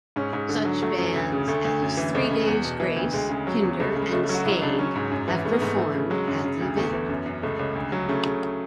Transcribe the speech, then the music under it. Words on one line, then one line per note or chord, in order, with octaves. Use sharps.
Such bands as Three Days Grace, Hinder, and Staind have performed at the event.
G#2 C#4
G#2
D3
F#3
F#3 A3
F#2
D2
C#3
D2 A3
D2
F#2
E3
C#2 A3
C#3
E2
B2
E3
D2
D2 G#3
C#3
F#3
E2
C#2 A3
C#3
G#3
C#2 A3
A3
F#3
F#4
C#2 E4
C#2 D4
F#3 C#4
G#2
F#2
E3
G#2 A3
B3
G#2 A3
B3
E3 A3
C#3
F#3 G#3
F#2
C#3
D2
E2 A3
E3
F#2
F#2
C#2 A3
C#2
D2
F#3
C#3 A3
C#3